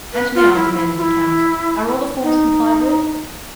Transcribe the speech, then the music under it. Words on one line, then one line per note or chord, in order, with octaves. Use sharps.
"And now," demanded the count, "are all the forms complied with?"
B4
F4
E4
E4
F4
E4
D#4